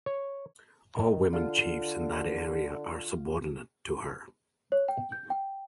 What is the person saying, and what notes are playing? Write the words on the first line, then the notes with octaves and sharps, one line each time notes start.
All women Chiefs in that area are subordinate to her.
C#5
D#3
D3 F4
C#5
G5
G6
G5